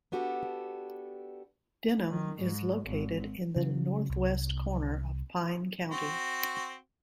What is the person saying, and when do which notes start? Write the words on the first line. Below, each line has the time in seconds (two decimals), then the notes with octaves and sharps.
Denham is located in the northwest corner of Pine County.
0.12 B3 D4 F#4 G4 A4
2.09 D#3
2.39 G#2
2.86 G#1
3.56 C#3 F#3
4.10 C2
5.91 C4 F#4